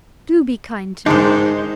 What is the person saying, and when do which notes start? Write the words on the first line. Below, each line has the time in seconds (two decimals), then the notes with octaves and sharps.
Do be kind to me.
1.06 G#2 D#3 G#3 D4 D#4 C5